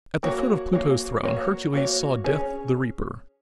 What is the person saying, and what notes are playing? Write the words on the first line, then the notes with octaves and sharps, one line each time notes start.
At the foot of Pluto's throne Hercules saw Death the Reaper.
A#3 F#4 C#5
A#3 F#4 C#5
A#3 F#4 C#5
A#3 F#4 C#5
C#4 G#4 C#5